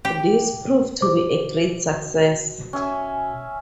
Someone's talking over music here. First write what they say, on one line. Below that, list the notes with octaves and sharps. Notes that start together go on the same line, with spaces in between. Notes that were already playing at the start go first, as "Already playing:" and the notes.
This proved to be a great success.
G4
B2 C5 D6
C#4 E5 G#5